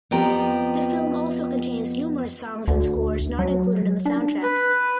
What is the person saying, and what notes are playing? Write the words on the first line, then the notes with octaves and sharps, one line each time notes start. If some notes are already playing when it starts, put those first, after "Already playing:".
The film also contains numerous songs and scores not included on the soundtrack.
F2 F3 B3 G4 G5 A#5
D2
F#3
D4
B4